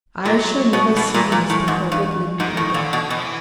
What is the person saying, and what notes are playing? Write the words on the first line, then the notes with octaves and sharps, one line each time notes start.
"I shall never see Mr. Herbert Linley again."
A#2 F#3
B2
B2 E3
A#2
A#2
A2
G#2
G2
G#2 D#3
A2
A#2 D3
B2
B2 E3
F3
E3